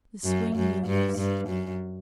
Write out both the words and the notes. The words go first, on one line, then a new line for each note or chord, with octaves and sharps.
The swing moves.
F#2
F#2
G2
G2
F#2